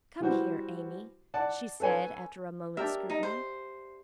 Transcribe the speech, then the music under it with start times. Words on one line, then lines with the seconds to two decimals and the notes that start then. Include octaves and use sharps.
'Come here, Amy,' she said after a moment's scrutiny.
0.20 E3 G3 F#4 C5
1.34 D5 F#5 A5
1.80 A4 B4 C#5 G#5
2.77 D4 G4 A#4 E5
3.10 D#4
3.23 C5